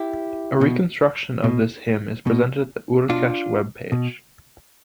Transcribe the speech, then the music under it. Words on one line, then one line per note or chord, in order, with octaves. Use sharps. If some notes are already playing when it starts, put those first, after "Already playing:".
A reconstruction of this hymn is presented at the Urkesh webpage.
Already playing: E4 G4
B2
B2
B2
B2 D4 F4
B2